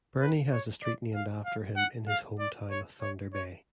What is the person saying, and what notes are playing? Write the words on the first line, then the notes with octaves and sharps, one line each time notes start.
Burney has a street named after him in his home town of Thunder Bay.
B4
C#5
D5
F5
F5
F#5
F5
D5
C#5
C#5
C#5